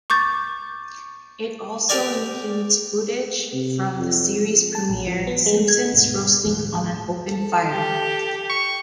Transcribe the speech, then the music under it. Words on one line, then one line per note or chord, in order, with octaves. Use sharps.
It also includes footage from the series premiere "Simpsons Roasting on an Open Fire".
C#6 D6 G6 A6
G4 A#4 D5 G#5
C3
F2
A5
A#1
F3
B3
G#3
G#6
D2 G#2 B2
G1 D#2 A2 F3
A4
G4
C#6